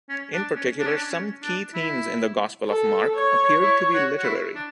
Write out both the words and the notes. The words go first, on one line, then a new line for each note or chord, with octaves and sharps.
In particular, some key themes in the Gospel of Mark appeared to be literary.
C#4
D4
C#4
D4
C#4
D4
C#4
D4
E4
A4
C#5
E4 C#5
F#4
F#4
E4
D4